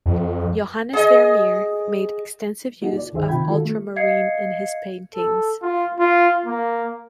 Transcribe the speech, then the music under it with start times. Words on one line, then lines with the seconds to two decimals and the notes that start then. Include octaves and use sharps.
Johannes Vermeer made extensive use of ultramarine in his paintings.
0.06 F2
0.93 G#4 D#5
2.82 A#3 D#4 F4 F#4 G#4
2.97 D5
3.13 C#2 G2 D#3 G#4 C5 E5
3.28 C3 D#3 F4 G5 B5 G#6
3.47 D#3 G#3 F4 F#4 A4
3.65 A3
3.96 D#5 F5 G#6 C7 C#7
5.15 A4
5.62 F4
5.99 F4
6.46 A#3